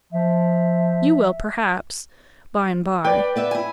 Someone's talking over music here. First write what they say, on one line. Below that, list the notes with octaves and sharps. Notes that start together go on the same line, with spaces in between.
You will, perhaps--bye and bye.
F3 E5
B4 D5 G5
B3 B4 E5
E4 G#5